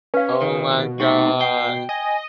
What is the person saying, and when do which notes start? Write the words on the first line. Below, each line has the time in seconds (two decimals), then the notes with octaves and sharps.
Oh my god.
0.14 C#4 B4 F5
0.42 B2 D#3
1.00 A3 C4 D#4 F#4
1.41 G5 C7
1.89 D#5 G#5